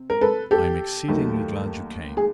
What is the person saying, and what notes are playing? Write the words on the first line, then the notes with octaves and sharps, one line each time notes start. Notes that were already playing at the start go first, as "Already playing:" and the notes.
I am exceedingly glad you came.
Already playing: C3
A#4
A4 B4
G4 A4
D#2 D#3 F#3 A3
G#4